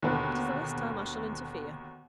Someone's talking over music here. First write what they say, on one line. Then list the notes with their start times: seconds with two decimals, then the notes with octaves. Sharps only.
It is the last time I shall interfere.
0.02 D#2 B2 D3 B4